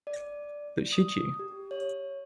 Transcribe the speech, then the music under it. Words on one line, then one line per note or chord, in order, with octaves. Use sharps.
But should you?
D5
D#6
G4
C#5